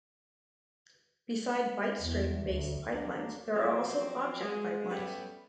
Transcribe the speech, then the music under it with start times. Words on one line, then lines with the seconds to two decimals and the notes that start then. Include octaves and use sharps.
Beside byte stream-based pipelines, there are also object pipelines.
2.02 E2
2.47 D2
2.92 F#3 A#3 D4
3.54 F3 F#3 C4
4.41 G#3
4.90 G3 A3 B3 C#4 G4